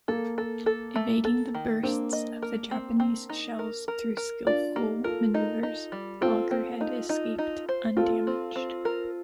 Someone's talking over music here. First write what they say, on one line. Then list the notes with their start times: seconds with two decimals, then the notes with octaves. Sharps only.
Evading the bursts of the Japanese shells through skillful maneuvers, "Loggerhead" escaped undamaged.
0.08 A#3 A4
0.38 A4
0.66 A4
0.96 A3
1.25 A4
1.55 D#3
1.83 A#3 C4 D4
2.13 D#5
2.42 A#4
2.71 C4
3.00 C4
3.30 D#4
3.59 A#4
3.88 A#4
4.17 A#4
4.46 D4 F4 D5
4.75 A#3 D#4 G4
5.04 F4 A4 A#4
5.34 D#4
5.63 D#4
5.92 G3
6.21 C4 F4 A4
6.51 C4
6.81 D#4
7.09 D#4
7.38 D#4
7.69 C5
7.97 C4 F4 A4
8.27 C4
8.56 C4
8.85 A#4